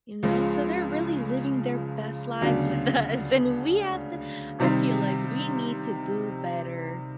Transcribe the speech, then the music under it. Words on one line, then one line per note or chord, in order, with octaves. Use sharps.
You know, so they're really living their best lives with us, and we have to I feel like we need to do better
C#2 C#3 F3 G#3
D2 C#3 F#3 B3 D4
C3 D#3 G3 C4 D#4